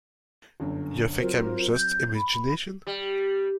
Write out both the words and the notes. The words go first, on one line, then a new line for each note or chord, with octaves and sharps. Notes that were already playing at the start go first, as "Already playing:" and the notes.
You think I'm just imagination?
G1 F#2 D3
F#3 C4 F4 A#4 C5
G6
B5
G3